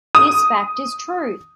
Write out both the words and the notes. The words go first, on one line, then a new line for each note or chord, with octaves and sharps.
This fact is truth!
D#6